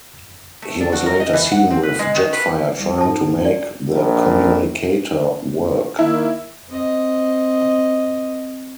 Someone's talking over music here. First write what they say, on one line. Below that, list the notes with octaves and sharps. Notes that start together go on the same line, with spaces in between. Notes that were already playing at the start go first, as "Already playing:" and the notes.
He was later seen with Jetfire trying to make the communicator work.
A3
D4
F#4
A#4
D#5
E3
F#5
C4
B4
G#3
D#3
B4
C2
G#2 A4 A5
D5
A#1
D#3 A#3 E4
C4 D#5